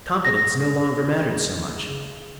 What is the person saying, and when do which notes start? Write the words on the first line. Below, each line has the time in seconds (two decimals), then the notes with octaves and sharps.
Competence no longer mattered so much.
0.25 G#4 A#6
1.88 C#3